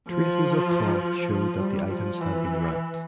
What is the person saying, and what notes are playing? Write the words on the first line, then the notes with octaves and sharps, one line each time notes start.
Traces of cloth showed that the items had been wrapped.
F3
F3
G3
F3
E3